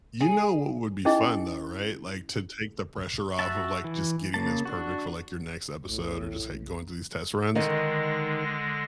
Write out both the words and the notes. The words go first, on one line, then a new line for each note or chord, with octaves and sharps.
You know what would be fun, though. Right? Like, to take the pressure off of, like, just getting this perfect for, like, your next episode or just, like, going through these test runs.
G#4
C#4 D#4 E4 G#4 D#5
F#4 E5 A5
E3
C#3 A#3 A5
D4 F#4
B1 A2
D3 D#3 G#3 D#5 A#6